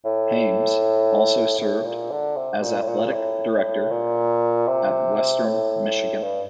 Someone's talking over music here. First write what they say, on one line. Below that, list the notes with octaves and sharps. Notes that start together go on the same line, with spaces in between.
Hyames also served as athletic director at Western Michigan.
A2
A2
A#2
D3
C3
A#2
A2
A#2
A2
A#2
C3
A2
G2